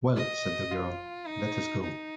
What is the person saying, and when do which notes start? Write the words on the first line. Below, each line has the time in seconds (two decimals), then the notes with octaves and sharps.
"Well," said the girl, "let us go."
0.16 D#5
0.72 F4
1.27 D#4
1.82 D#4